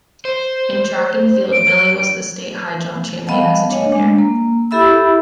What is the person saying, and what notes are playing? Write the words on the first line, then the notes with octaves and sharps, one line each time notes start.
In track and field, Mili was the state high jump champion as a junior.
C5
D7
G3 B3 D#5 F5 F#5 A5
D4 C#5 D#5 G#5
G#3 D4
A#3
E4 G4 A4 E5 B5 E6